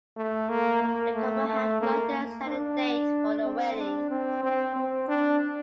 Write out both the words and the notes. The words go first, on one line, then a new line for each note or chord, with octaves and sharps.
The couple have not yet set a date for the wedding.
A3
A#3
A#3
A3
A3
A#3
D4
C4
D4
C4
C4
C4
D4